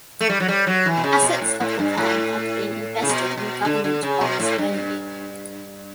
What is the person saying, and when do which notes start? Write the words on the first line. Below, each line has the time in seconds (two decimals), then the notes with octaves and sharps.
Assets of the plan had been invested in government bonds only.
0.21 A3
0.29 G3
0.40 F#3
0.48 G3
0.67 F#3
0.86 E3
0.97 B2
1.04 C#3
1.22 B2
1.41 A2
1.60 A2
1.79 G2
1.97 A2
3.02 C#3
3.09 B2
3.37 B2
3.65 D3
3.84 D3
4.03 C#3
4.21 B2
4.40 A2
4.58 G2